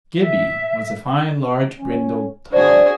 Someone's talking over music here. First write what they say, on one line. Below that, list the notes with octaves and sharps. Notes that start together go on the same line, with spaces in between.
Gibbey was a fine, large, brindled Tom.
E5
C#4
D4 F#4 G#4 C5 D5